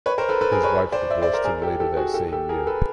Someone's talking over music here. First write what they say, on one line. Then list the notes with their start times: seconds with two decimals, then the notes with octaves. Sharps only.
His wife divorced him later that same year.
0.06 B4 C#5
0.18 A#4 C5
0.29 A4 B4
0.41 A4 B4
0.52 G#4 A#4
0.63 B4 C#5
0.92 C5 D5
1.10 D5 E5
1.22 C5 D5
1.34 A#4 C5
1.45 G#4 A#4
1.62 G4 A4
1.80 G4 A4
1.97 F#4 G#4
2.14 G4 A4
2.32 G4 A4
2.49 G#4 A#4
2.67 A4 B4